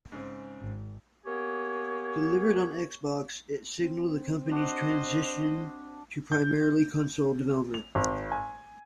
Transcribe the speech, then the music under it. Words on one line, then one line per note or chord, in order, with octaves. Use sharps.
Delivered on Xbox, it signaled the company's transition to primarily console development.
G#2 C#3 C4
G#1
A#3 B3 G4 G#4 C#5
C4
D4 F#4 C5 D#5
G6
F7
G#1
G#5